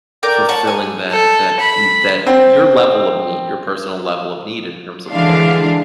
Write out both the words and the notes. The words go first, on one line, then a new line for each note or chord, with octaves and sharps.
fulfilling that that n that your level of need your personal level of need in terms of learning.
A#4 D5 G5
C#5 F#5 A5
G#5
A4
B5
C4
D3 E3 G#3 D4 F5